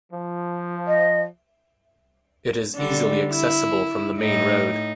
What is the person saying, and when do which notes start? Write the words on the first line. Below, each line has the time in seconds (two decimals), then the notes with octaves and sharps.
It is easily accessible from the main road.
0.12 F3
0.87 D#5
2.76 D3 G3
3.32 E4
4.18 A2 D#4